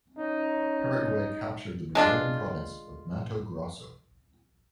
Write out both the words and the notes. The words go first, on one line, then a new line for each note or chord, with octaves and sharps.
Paraguay captured the Brazilian province of Mato Grosso.
C#4 D#4
G#3 D4 F4